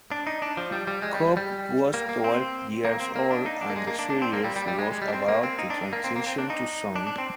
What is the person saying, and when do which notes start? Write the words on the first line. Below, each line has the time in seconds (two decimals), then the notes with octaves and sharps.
Cobb was twelve years old, and the series was about to transition to sound.
0.12 D4
0.27 D#4
0.42 D4
0.57 F3
0.72 G3
0.87 G3
1.02 G#3
1.14 G3
1.37 G3
1.94 A#3
2.09 A#3
2.24 C4
2.85 A#3
3.00 C4
3.16 A#3
3.31 D4
3.46 D#4
3.61 D4
3.70 A#3
3.76 G#3
3.87 A#3
3.99 D4
4.10 D4
4.22 C4
4.33 A#3
4.44 G3
4.56 G3
4.68 G3
4.79 G#3
4.92 G#3
5.02 G3
5.08 D4
5.13 C4
5.28 A#3
5.43 C4
5.59 D#4
5.70 D4
5.93 A#3
6.04 C4
6.16 A#3
6.26 C4
6.38 D4
6.50 D#4
6.96 D4
7.07 D4
7.18 C4